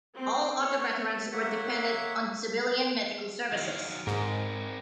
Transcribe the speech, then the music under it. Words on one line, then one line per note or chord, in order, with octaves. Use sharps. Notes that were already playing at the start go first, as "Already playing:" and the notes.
All other veterans were dependent on civilian medical services.
C4
C#5
A#3 C#5 E5 F#5
D#3 F#3 F5
G#2 C4 A#4